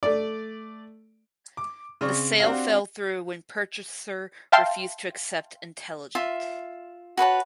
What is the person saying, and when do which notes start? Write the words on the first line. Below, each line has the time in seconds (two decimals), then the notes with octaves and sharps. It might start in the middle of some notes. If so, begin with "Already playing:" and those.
The sale fell through when purchaser refused to accept "Intelligent".
0.03 A3 D5
1.57 D6
2.01 C#3 C4 D5 C#6
2.40 C4 D4 F#4 G4 F5
4.52 E5 F5 G5 A5 C6
6.15 F4 E5 C6
7.17 F#4 B4 C#5 A5